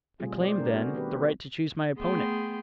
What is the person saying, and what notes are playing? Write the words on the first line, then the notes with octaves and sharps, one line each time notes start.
I claim, then, the right to choose my opponent.
B2 G3 A3 C4 F4 G#4
C5 D5
A3 D4 A#4
A3 B3 C4 D4 F#4 G#4
D#3 F#4 G4 B4
A3 B3 G#4 G5 C6